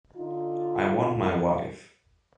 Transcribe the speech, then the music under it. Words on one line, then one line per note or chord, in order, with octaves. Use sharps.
I want my wife.
D3 D#4 F4